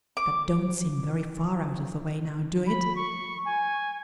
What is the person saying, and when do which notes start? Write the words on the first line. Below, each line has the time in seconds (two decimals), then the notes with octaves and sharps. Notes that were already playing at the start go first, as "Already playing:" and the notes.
That don't seem very far out of the way now, do it?'
0.17 D6
2.67 B5
2.96 C#6
3.45 G#5